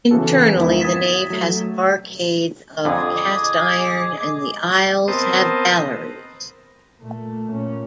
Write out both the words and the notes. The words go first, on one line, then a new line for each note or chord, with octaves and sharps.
Internally the nave has arcades of cast iron and the aisles have galleries.
C#3 E3 B3 C#4 F#4 A4
G#1 E2 D#3 E4
D#6 G#6 A6 B6 E7
F#3 A3
F2 D3 G#4 D#5 D6
B3 C4 A#4 C5 D#5 A5
A#2 A3
A#2 C#4